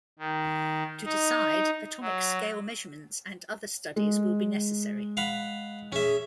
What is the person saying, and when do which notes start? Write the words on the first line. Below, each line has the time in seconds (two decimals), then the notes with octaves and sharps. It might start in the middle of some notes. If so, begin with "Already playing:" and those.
To decide, atomic scale measurements and other studies will be necessary.
0.19 D#3
1.05 D#4
2.01 F#3
3.96 G#3
5.17 F5 F#5 B5
5.92 C#4 G#4 E5